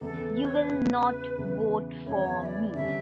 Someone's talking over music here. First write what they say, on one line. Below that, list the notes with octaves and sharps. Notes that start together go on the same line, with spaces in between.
You will not vote for me!
E2 C#3 E3 A4
B4
C#5
B4
E2 C#3 E3
E2 C#3 E3
E2 C#3 E3 C#5
E5
D5
D3 G3 C#4 G4 E5